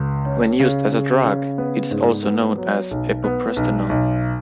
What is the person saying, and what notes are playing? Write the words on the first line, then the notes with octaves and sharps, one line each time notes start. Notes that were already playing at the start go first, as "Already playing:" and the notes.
When used as a drug, it is also known as epoprostenol.
Already playing: C#2
C#4
C#3
C#3
C#3
B3
G#2
B3
F#3
B1
B3
B1
B1